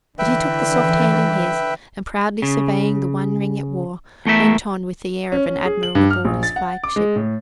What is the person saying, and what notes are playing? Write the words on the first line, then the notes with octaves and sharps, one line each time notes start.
But he took the soft hand in his, and proudly surveying the one ring it wore, went on with the air of an admiral aboard his flagship.
D3 E3 B4 E5 G5
C#3
E2 A3 A#4 E5
C#4
C#4
G#4
F#7
G2
F6
A#1
A6
F#5
D6
G#3
A2